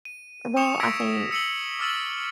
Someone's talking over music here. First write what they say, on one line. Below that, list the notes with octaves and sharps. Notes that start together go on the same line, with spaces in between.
Well, I think
D#7
C#6 D#6 C#7 E7 F7
E6 G#6 A#6 B6 D7
E6 C#7 D#7 F#7 G7
D6 E6 F6 A6 D#7 F#7